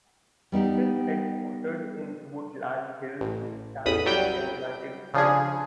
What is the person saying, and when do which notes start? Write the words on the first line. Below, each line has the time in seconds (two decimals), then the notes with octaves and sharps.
It is headquartered in Woodland Hills, California, United States.
0.52 G3 B3 D#4 G4
3.21 A1
3.86 A1 E2 B5 D#6
4.06 F#3 G3 G5 G6
5.14 C#3 F3 D4 G#4